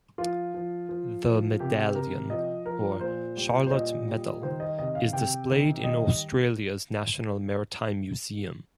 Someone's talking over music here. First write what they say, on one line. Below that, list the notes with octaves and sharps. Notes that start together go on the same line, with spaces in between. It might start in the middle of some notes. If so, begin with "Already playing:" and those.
The medallion, or "Charlotte Medal", is displayed in Australia's National Maritime Museum.
F3 F4
F3
F3
F3
C3 G4
C3 A#4
F3 D#5
F3 A#4
A#2 C5
G3
C5
A#2 D#5
G3
D#3 C5
D#5
C3 D#5
F5
C3 G5
D#3
G3 D#5